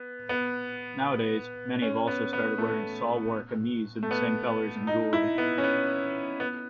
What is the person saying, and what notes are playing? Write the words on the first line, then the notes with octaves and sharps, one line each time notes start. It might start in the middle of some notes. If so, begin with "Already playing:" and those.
Nowadays many have also started wearing salwar kameez in the same colours and jewellery.
Already playing: B3
B3
C#4
B3
B3
A3
A3
B3
D#4
E4
B3
C#4
B3
B3